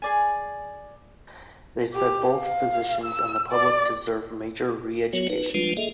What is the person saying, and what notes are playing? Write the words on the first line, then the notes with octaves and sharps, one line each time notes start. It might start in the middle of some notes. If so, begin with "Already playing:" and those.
They said both physicians and the public deserve major re-education.
G#4 D5 G#5
G4
F5
E6
D5
F#3 B3 F#4 C#5
D#4 B4
F3 G3 G#3 D4 F4 B4
A#3 G#4 A4 D#5 E5